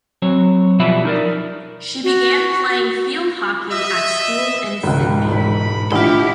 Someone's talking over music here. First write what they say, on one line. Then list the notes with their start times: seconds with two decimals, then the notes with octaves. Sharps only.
She began playing field hockey at school in Sydney.
0.22 F#3 C4 C#5
0.79 B1 F3 G3 B3 E5 B5
1.05 D#4 A#4 D5
2.04 F#4
3.72 D#5 E5
4.83 E1 C#2 G#2
5.31 E1 B5
5.92 A1 D4 E4 F4 G4